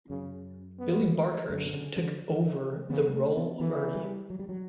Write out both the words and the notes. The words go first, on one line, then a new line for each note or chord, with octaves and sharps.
Billy Barkhurst took over the role of Ernie.
F#2 C#3
B3
F#2 D3
B2
C#3
D3
C#3 B3
G3
A3
B3
E3 B3
G3
F#3
G3
F#3